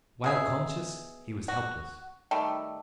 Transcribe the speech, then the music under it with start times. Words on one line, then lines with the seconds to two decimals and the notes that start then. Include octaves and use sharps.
While conscious, he was helpless.
0.24 B2 G#4 E5
1.48 F#4
2.31 D#3 G3 A3